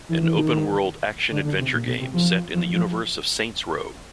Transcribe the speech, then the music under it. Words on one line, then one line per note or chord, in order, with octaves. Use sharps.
An open world action-adventure game set in the universe of Saints Row.
E3
E3
D#3
D3
D3
C3
A#2
B2
C3
F3
F3
F3